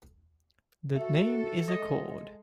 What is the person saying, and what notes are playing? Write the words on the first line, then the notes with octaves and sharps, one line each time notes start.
The name is a cord.
F#4 A4 E5
G#3 D#5